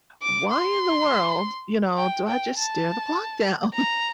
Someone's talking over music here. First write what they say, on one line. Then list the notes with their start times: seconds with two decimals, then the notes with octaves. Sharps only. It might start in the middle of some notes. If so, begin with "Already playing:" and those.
why in the world, you know, do I just stare the clock down?"
0.22 D6
0.52 C6
1.98 G5
2.28 G5
2.57 A5
3.73 A#5